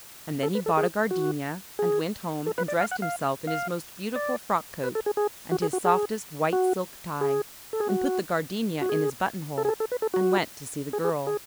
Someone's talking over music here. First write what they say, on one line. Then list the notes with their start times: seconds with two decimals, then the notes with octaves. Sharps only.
And then he bought a gardenia, and went home and dressed himself in his most beautiful frock-coat and his softest white silk tie, and put the gardenia in his button-hole--and went to see the Girl.
0.43 A4
0.55 B4
0.66 A4
0.77 G#4
1.11 F#4
1.79 G#4
2.46 A4
2.58 B4
2.68 D5
2.81 F5
2.91 F#5
3.02 F5
3.47 F5
4.16 D5
4.84 B4
4.95 A4
5.06 G#4
5.17 G#4
5.51 F#4
5.62 G#4
5.73 F#4
5.85 G#4
6.53 F#4
7.21 G#4
7.73 A4
7.80 G#4
7.89 F#4
8.82 F#4
8.89 G#4
9.58 A4
9.65 G#4
9.69 A4
9.80 A4
9.92 B4
10.02 A4
10.14 F#4
10.93 G#4
11.04 G#4
11.27 G#4